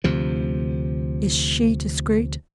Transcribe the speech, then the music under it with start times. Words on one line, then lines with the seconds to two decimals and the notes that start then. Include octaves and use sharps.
"Is she discreet?"
0.04 D2 C3 F3